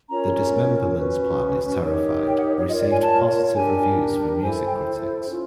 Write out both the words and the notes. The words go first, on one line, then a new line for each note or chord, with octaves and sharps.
"The Dismemberment Plan Is Terrified" received positive reviews from music critics.
C#4 F4 A#4 C#5 A#5
C#4 F#4 B4
D#4 G4 A#4 C#5
G5
F#5
C#5
C#5
F4 A#4 C#5 D#5
D5
G#5
A5
D4 G4 A#4 G#5
E4 A4 C5 G#5
G5
C#4 F4